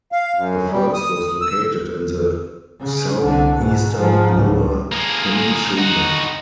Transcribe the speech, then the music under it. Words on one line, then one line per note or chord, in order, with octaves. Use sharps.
The first was located in the southeastern Lower Peninsula.
F5
F#2
G3
D#6
E6
C#3
C2 D3
G#2 B2
G#2 F3
C#2 A2
A#3 G#4
D#4 F#4